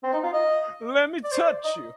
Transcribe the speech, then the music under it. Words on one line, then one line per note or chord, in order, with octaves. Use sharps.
Let me touch you!
C4
D#4
F4
D#5
D5
C5
D5
D#5